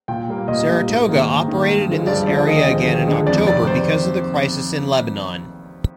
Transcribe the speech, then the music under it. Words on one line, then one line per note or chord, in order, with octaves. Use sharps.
"Saratoga" operated in this area again in October because of the crisis in Lebanon.
A#2 G5
G3 A#3
A#2 D#5
G3 A#3
G#2
D#3 A#3
G#2
D#3 A#3
G2
D3 F3 G#3
G2 D5
D3 F3 G#3 D5
D#2 D#5
D3 F3 G#3
D#2
D3 F3 G#3
F2 D5
C3 D#3 D5
C5